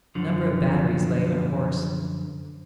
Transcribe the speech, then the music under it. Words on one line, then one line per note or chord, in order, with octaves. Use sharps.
A number of batteries lay unhorsed.
F#2 D3 F3